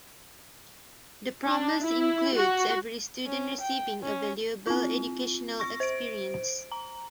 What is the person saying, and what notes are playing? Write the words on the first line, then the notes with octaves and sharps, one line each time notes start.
The promise includes every student receiving a valuable educational experience.
D4
E4
F#4
C#4
G5
C#4
C4 F4
C#6 A#6
C5 D7
A#5